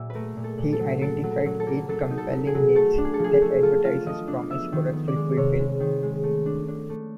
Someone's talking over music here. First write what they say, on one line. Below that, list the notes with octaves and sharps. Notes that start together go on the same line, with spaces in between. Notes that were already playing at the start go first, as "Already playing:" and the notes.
He identified eight "compelling needs" that advertisers promise products will fulfill.
Already playing: A#2 F#3 E5
B4
A3 A#4
A#2
A4
A#2
A4
F#3
F#3 A4
F#3
A#4
F#3
A4
A#3
F#3 A4
D#4
A4
F#3
G#4
F#3
A3 A4
D4
G#4
A4
F3 G#4
G#4
A3
F4 A4
F4
F3 D#5
D4
B3 E5
D#3
B3
D5
G#3
C3 C#5
G#3
D#3
G#3
A3
D4
D4
A3